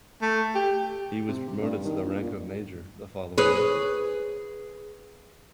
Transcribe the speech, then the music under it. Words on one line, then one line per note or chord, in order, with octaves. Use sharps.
He was promoted to the rank of major the following April.
A3
G4
C3
C3
G2
D#3
A#1
A#2
G#4 B4 C#5